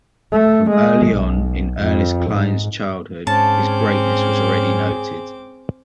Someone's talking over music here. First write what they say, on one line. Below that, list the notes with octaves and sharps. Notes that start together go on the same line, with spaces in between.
From early on in Ernest Klein's childhood, his greatness was already noted.
A3
G#3
B1
F2
G#2
G#2 C4 C#4 G#4 A5 D6